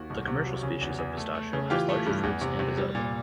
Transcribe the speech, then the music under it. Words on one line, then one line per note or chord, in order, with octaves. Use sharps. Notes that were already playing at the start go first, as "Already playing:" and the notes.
The commercial species of pistachio has larger fruits and is edible.
Already playing: D#2 F#4
C2
C3
F#3
C#3
E2
E2
A3
A3
C#3
E3 F4 G4
A3
G2
E2
C3
C3
G3
A#2